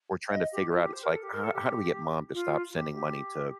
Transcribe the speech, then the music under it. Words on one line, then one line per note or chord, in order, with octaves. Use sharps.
We're trying to figure out it's like, "Uh, how do we get mom to stop sending money to
F5
D#5
G4
F4
G4
C5
A#4
A4
G4
A#4
A4
G4
F4
G4
G4